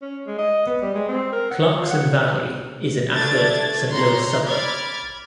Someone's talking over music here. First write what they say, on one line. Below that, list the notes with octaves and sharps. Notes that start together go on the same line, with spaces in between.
Clarkson Valley is an affluent Saint Louis suburb.
C#4
G#3
D#5
B3
G3
G#3
C4
A#4
F#5
C#5
F4
F#5
A3 D4 G#6 A6
C#5 A#5 C6
B5 D6 F6 G#6 A6